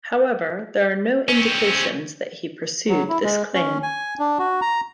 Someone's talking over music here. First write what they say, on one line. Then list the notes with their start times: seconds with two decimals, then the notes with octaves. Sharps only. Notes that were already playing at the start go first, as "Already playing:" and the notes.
However, there are no indications that he pursued this claim.
1.29 C4 C#4
2.89 F#3
3.09 E4
3.23 G#3
3.54 C#4
3.83 G#5
4.19 D4
4.39 F#4
4.61 A#5